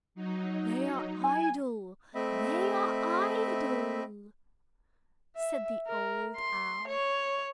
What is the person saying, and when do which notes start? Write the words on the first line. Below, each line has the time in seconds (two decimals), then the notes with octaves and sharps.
"They are idle, they are idle," said the Old Owl.
0.15 F#3 D#4
1.24 G#5
2.15 A3 C4 D#5 E5 B5
5.36 E5
5.87 A#4
6.36 C6
6.88 C#5